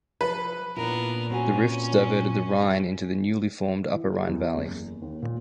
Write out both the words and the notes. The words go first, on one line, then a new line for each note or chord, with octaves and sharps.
The rift diverted the Rhine into the newly formed Upper Rhine Valley.
F3 A4 B4
A#2 B3 D4 E4 A#4
C4 C#4 F#4 G#5
E3
G4
E2
F#1
D#2
A#2